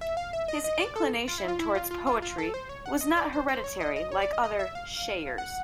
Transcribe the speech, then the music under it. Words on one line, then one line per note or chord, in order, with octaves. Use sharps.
His inclination towards poetry was not hereditary like other "shayars".
E5
F5
E5
D#5
D#5
D5
A4
F4
E4
F4
E4
F4
F4
F4
F4
A4
C5
C#5
F#5
D#5
D5
C5
C5
C#5
D#5
D#5
C#5
D5
D#5
D#5
E5
F5
F#5